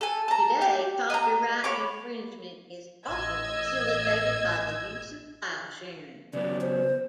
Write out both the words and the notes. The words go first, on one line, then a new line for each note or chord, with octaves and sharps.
Today copyright infringement is often facilitated by the use of file sharing.
A4 G#5
A5 A#5
G4
D#5 A#5
C#5 B5 D6
A1 D#5 E6 G#6
C#3 F#3 B3 D5
C5